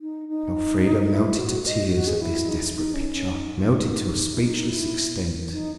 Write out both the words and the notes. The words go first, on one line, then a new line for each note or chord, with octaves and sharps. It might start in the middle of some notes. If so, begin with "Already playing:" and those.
Elfrida melted to tears at this desperate picture, melted to a speechless extent.
D#4
D#4
E4
F#4
D#5
F#4
G#4
E4
D#4
D#4
C#4
C#4
D#4
D#4
E4
D#4
E4
D#4